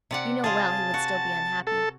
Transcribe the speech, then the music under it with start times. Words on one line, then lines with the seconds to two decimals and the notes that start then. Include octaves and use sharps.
You know well he would still be unhappy.
0.11 C3 D5 F#5
0.44 F4 G#4 A5
0.94 F#4
1.67 A4